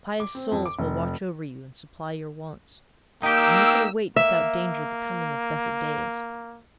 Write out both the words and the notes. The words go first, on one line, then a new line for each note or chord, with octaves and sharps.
Pious souls will watch over you and supply your wants; and you can await without danger the coming of better days.
D6
C4
F2
D6
F1
A#3 D#4 G4 G5 E6
A#3 E5